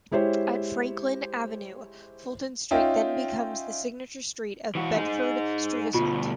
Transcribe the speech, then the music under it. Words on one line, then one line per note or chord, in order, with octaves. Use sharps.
At Franklin Avenue, Fulton Street then becomes the signature street of Bedford-Stuyvesant.
G#3 E4 G4 C5 C#5
C#4 D#4 F4 E5 G5
E3 F#4
D#4 G#4
D2 B2 F4